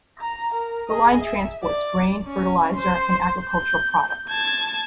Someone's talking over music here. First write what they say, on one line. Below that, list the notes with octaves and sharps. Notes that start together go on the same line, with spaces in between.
The line transports grain, fertilizer and agricultural products.
A#5
A#4
G#4 D#5
E5
D5
C#4
C5 C6
G6
A5 G#6